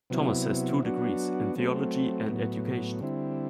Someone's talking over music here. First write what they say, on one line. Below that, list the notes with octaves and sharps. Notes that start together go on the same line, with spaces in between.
Thomas has two degrees, in theology and education.
C3 F#3 B3 E4
F#3 B3 D4 F#4
F#3 A3 C4
A2 F#3 B3
D3 G3 C4 E4